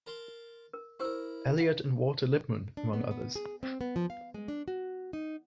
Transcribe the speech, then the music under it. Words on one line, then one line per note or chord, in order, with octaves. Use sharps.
Eliot and Walter Lippmann, among others.
A#4 A5 C6
A#4
E4 G4 A#4 C5 E6
F5
D4
B3
B3
G#4
C4
B3
F3
F5
G#3
D4
F#4
D#4